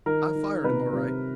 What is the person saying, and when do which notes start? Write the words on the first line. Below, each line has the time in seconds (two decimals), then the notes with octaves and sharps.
I fired him, all right.
0.06 D#3 A#4
0.35 D#3
0.64 C3 B4
0.93 C3